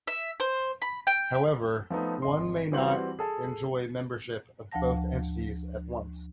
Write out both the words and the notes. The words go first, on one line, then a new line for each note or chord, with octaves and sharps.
However, one may not enjoy membership of both entities at once.
E5
C5
B5
G5
F3 A3 B3 D#4
G#1 D#5 C6
E3 G3 C4 F#4 F#7
G#4 A4 A5
D2 F3 F5 F#5 A5 A#6